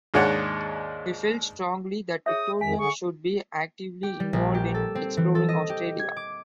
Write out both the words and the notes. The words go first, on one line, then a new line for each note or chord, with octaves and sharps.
He felt strongly that Victorians should be actively involved in exploring Australia.
D#2 G#2 G#3 D4 C#5 F#5
G#4 C#5 E5 D#6
F2 D#3 G#5 B6
D3 G#4 C#6
G4
G3
A#1
G4
A4
C4
E3
A4
D#5
G4
G#6
D6